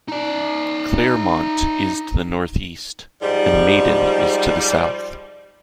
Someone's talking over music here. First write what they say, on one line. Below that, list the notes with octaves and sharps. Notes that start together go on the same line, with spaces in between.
Claremont is to the northeast, and Maiden is to the south.
D#4 D5
G#2 F3 G3